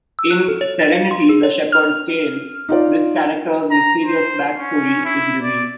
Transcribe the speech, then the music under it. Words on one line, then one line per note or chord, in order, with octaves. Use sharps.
In "Serenity: The Shepherd's Tale", this character's mysterious backstory is revealed.
E6
F#6
A4
C#5
A6
F5
C6
G#4
C#5
F6
D#4 F4 D5
A#5
C5
C#4
E4
D5